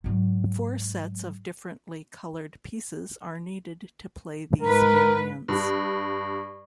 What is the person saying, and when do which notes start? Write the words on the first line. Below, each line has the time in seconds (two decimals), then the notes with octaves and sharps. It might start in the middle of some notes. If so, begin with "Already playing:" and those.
Four sets of differently colored pieces are needed to play these variants.
0.04 G#2 F#3
4.62 G#2 A#4 B4
5.48 G2